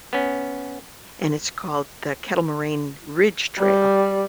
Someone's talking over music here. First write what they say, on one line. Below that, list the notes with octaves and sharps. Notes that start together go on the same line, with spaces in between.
and it's called the Kettle Moraine Ridge Trail.
B3 C#4
G3